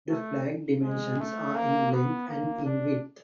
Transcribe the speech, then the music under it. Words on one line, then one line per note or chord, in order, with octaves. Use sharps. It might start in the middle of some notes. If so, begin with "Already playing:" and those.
The flag dimensions are in length and in width.
A3
G#3
A3
A#3
B3
A#3
D4